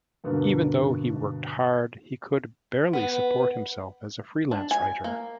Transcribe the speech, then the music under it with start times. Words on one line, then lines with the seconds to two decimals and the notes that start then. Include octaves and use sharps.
Even though he worked hard, he could barely support himself as a freelance writer.
0.24 G2 B2 D3 A#3 B3
2.93 B3
4.51 D4
4.71 G#5
5.04 A#3